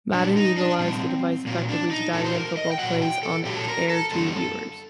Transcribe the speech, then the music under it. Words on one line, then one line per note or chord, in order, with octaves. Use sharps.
Madden utilized the device effectively to diagram football plays on-air to viewers.
A#2 G3 D4
D#4
D4
A#2 G3 C4
A#2 F#3 A#3
D4
D#4
A#2 F#3 A4
C5
A#4
D#5
G5
A#2 F#3 F#5
G5
A4
A#2 F#3 G4
A4
A#4
A4
F#2 D3 G3 A4